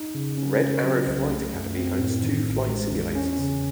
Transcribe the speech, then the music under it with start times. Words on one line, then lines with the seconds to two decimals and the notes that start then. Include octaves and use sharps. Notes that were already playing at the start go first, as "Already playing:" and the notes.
Red Arrow Flight Academy owns two flight simulators.
Already playing: D#4
0.15 C#3
0.38 C#4
0.61 C#3
0.84 F#3
1.07 C2
1.30 A3
1.54 F#2
1.76 C4
1.99 A2
2.23 D#3
2.46 A1
2.69 G#3
2.92 E2
3.15 C#4
3.38 C#3